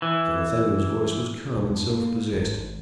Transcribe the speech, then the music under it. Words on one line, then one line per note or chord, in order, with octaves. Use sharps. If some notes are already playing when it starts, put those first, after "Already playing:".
Sir Nathaniel's voice was calm and self-possessed.
E3
B1
F2
A#3
G#1